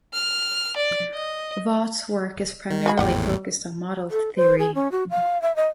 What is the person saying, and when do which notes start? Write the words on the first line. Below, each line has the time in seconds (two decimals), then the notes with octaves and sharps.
Vaught's work is primarily focused on model theory.
0.14 F6
0.77 D5
1.14 D#5
2.70 D#3
2.86 F#4 G#4 B5
2.98 G#1 E2 A2 G4 F#5 G5
4.11 A4
4.36 C5
4.59 G#4
4.75 C#4
4.92 F#4
5.11 F5
5.42 E5
5.56 D#5